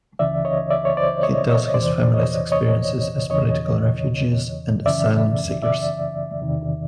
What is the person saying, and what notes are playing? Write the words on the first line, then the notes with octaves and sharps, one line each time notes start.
He tells his family's experiences as political refugees and asylum seekers.
C#2 C#3 E3 D5 E5
C#5 D#5
D5 E5
C#5
C5 D5
C#5 D#5
C#5 D#5
E2 C3 E3 C5 D5
C#5 D#5
C#5 D#5
E2 C#3 E3 C#5 D#5
F#2 C#3 E3 D5 E5
D5 E5
E2 C3 D#3